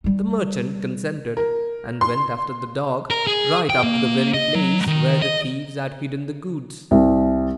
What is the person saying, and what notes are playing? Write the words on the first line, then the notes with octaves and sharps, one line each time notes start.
The merchant consented, and went after the dog right up to the very place where the thieves had hidden the goods.
G3 D#4
A#4
C6
A#4
G#4
G5
A#3
D#5
F#3
D#3
D#5
C2